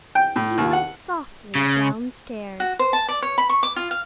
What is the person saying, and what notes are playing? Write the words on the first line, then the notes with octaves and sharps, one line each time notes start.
He went softly downstairs.
G5
A2
D#2
F#5
C#3
F#4
C5
A5
D5
C#5
B5
C#6
D6
F4
F5